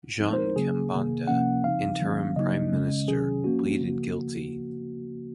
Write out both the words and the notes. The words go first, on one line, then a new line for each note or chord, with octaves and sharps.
Jean Kambanda, interim Prime Minister, pleaded guilty.
F3 G#3 C4 D#4
C5
A#4
C#3 F#3 A#3 C#4 G#4
C3 D#3 A#3
C3 F3 A#3 C#4 F#5
C#3 F3 C4 D#4 F5
D#3 F#3 A#3 C#4
C#3 F#3 A#3 D#4 D#5
C#3 G#3 C#4
C3 D#3 F#3 C#4 G#4
F3 A#3 C#4 F#4
C#3 F3 A#3